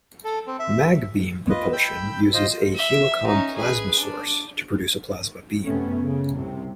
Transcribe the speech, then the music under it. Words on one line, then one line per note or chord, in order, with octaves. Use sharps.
MagBeam propulsion uses a helicon plasma source to produce a plasma beam.
A4
C4
E5
F4 B4 D#5
G5 B5 E6 G6
F4 C5 D#5
E5
C#4 D#4
G#4 B4
D4
F#2 C3 A3 B3 C#4
C#3
C2 C3